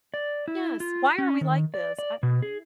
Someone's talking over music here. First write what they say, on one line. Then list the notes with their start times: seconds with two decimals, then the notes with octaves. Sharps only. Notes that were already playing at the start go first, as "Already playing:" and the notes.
Yes, why are we like this? I you know
0.14 D5
0.48 E4
0.80 F4
1.18 C#4
1.41 D#3
1.74 D5
1.99 D5
2.23 B2
2.42 G#4